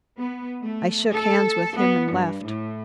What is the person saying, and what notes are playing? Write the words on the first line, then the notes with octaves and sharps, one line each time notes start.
I shook hands with him and left.
B3
A3
A4
B3
G2
A2